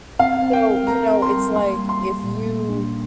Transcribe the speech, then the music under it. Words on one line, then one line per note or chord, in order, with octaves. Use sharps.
So, you know, it's like if you
C4 F5
C4
G5
A#4
A#4 A#5
C4
C6
G3
A#3 C6
G3
C6
G3
A#2
A#3
D4